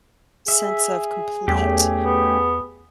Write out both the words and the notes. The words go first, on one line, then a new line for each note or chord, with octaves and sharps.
sense of complete
G#4 E5
E2 A3 C#4 G4
B3